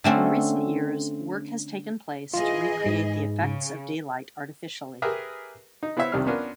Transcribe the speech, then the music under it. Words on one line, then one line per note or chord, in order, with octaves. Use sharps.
In recent years, work has taken place to recreate the effects of daylight artificially.
D3 A3 C4 C#4
E3 F4 G#4 D#5
G#2
C#3
G4 G#4 A#4 B4 E5
D#4
B3 E4 C5 C#5 E5 B5
C2 F2 D#3 G3 D4 F6
B3 C#4 D4 F4 A#4